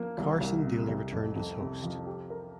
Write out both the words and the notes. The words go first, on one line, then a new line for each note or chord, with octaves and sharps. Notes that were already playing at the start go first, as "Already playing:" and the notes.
Carson Daly returned as host.
Already playing: F3 A#3
C2
C2
C3
C2
F2
F2
C3
F3
G4
A#4